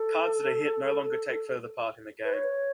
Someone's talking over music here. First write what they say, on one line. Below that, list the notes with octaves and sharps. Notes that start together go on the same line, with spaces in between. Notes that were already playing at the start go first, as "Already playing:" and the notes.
Cards that are "hit" no longer take further part in the game.
Already playing: A4
B4
C#5